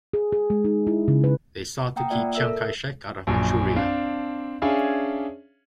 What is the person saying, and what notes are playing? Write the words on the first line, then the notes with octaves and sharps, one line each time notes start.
They sought to keep Chiang Kai-shek out of Manchuria.
G#4
G#4
G#3
D#4
E4
C#3
B4
A#3 F#5 G5 A#5 D#6
A#3 F4 D5 E5
A4 A#4 E5 E6
A#1 F#2
C4 D4 F5
C#4 D4 G#4 C#5 E5 F5